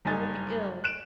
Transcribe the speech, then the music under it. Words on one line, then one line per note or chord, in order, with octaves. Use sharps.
It will be ill.
F#1 G2 D#4 G#5 A6
F#6 D7 E7